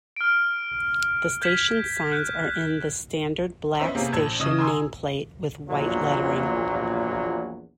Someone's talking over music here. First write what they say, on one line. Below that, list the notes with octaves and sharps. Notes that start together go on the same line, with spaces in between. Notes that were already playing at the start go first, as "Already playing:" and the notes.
The station signs are in the standard black station name plate with white lettering.
F6 D7
F6 G6 G#6 B6 E7
F#6 G6
B3 C#4 C5 D#5 E5
C3 A#3 B3 C#4 G#4
A#1 A5 E6 G#6
C#3 D#5 D#6 E7
G#5 A#5 C6 D#6 E6
A#1 E2 A#2 F#3